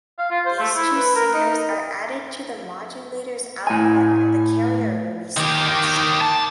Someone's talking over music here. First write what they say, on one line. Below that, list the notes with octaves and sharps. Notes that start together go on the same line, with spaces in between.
These two signals are added to the modulator’s output and the carrier will be suppressed.
F5
F4
C5
A3
E4
B4
A#4
D#4
A2 G#5
D#3 G4
A5